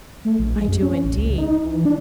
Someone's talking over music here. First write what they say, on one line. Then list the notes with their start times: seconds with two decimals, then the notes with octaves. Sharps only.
"I do, indeed."
0.25 A3
0.39 A#1
0.56 G#3
0.68 F#2
0.82 C#4
1.04 A1
1.16 C#2
1.38 D#4
1.64 E3
1.85 D4